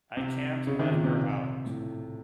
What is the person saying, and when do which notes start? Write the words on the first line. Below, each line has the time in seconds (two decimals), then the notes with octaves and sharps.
I can't let her out.
0.17 C3
0.67 C#3
0.79 D#3
0.92 A#2
1.04 C3
1.66 A2